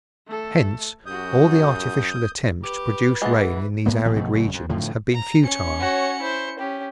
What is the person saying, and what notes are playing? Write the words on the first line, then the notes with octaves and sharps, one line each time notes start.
Hence, all the artificial attempts to produce rain in these arid regions have been futile.
A3 A4
F#2 F#4 G4 D#6 G6
G4 B4
E3 G#3 B3 A5
G#2 A#3 B3
G#1 A#2 F3 G3
B1 B2 F3 A3
F#1 C#3 F#3
F2
A2 D3 F3
A#5
C#4 C#7
F#4 C#5
E4 C5
C#4 G4